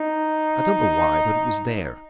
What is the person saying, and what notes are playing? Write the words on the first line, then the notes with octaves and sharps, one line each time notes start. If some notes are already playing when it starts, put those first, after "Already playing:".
I don't know why, but it was there.
Already playing: D#4